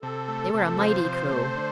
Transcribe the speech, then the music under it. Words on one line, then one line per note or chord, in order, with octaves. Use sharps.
They were a mighty crew.
C3 A4
A3
C3
F3 C5
C3
A3
D3